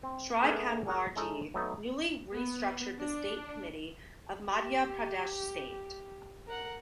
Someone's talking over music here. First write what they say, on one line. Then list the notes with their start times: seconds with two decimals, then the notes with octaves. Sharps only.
Shri Kanwar ji newly restructured the state committee of Madhya Pradesh State.
0.03 C4
0.42 A3 B3 D4 G#4 A#4 B4
0.85 F#4 G#4 A#4 F#5 G#5
1.16 G#3 C#4 D#4 A4 D#5 E5
1.54 F#3 A3 B3 D#4
2.33 B3
2.99 D4
4.47 G4
6.47 A#4 F#5